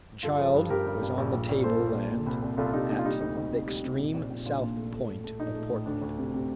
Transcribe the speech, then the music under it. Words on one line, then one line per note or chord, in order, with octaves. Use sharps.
The child was on the table-land at the extreme south point of Portland.
G2 F4 A4
F3
G2
G2 G4 A#4
G2
G2
A#1
A#1
A#1
A#2 A4 C5
A#2
A#1
A#2
C2
C2
C2 F4 A4
C2 D#4 G4
A#2 D#4
F4
G3 D#4
D2 D#4
D2 D#4
C3
G3
C3
A#1
A#1
A#1
A#1 D4 F4
A#2
A3
A3
A2
A3
A#1 D#4
A3
A2
D2 D4
D2
C3
C3